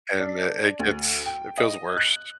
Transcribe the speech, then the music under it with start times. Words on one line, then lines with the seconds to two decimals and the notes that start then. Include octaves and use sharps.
and it it it's it feels worst.
0.20 D4
0.79 D2
1.26 G5
1.58 D#5
1.98 F#6